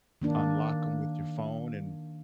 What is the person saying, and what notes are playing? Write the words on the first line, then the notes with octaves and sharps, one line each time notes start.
unlock 'em with your phone, and
D#3 A#3 D4